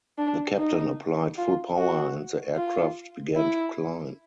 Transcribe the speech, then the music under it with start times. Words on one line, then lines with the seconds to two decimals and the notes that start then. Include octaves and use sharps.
The captain applied full power and the aircraft began to climb.
0.18 D4
0.58 D#4
1.38 F4
1.77 F#4
2.57 F4
3.37 E4